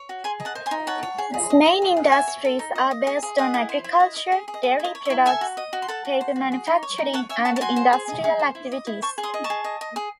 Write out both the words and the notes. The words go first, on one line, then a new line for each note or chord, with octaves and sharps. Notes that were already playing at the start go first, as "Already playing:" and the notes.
Its main industries are based on agriculture, dairy products, paper manufacturing and industrial activities.
Already playing: C#5
F#4
G#4 G#5 C6
D#5
F#5 A5
C5
G#5 C6
D#4
C#5 F#5 A5
C#5
G#4
G#4
D#5
D#5
G#4
G#4
F#5
F#4 E5 G#5
C#5
A4
D#4
D#5
D#5
G#4
G#4
G#4 D#5 F#5
E4
C5
E4
D#5
D#5
G#4
G#4
D#5
G#4 E5
E4 D#5
C#5
E5
E4
A4 E5 G#5
F#4
D#5
F#4
C6
A4 F#5 A5
F#4
C5
F#4
G#4
D#4
C#5
D#4
C#5 F#5 A5
C#5 E5 G#5
F#4 F#5 A5
A5
F#4 G#5 C6
C5
G#4
D#5
G#4
C5
E4
D#5
E4
C5 A5 C#6
G#4
C6 D#6
D#5
A5 C#6
G#4
D#5
D#5
G#4